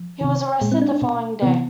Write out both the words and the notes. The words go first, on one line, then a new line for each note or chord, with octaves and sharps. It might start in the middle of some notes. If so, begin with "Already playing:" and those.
He was arrested the following day.
Already playing: F3
C3 D#3
A#2 G#3
C4
D4
D4
B2
C3 E3 B3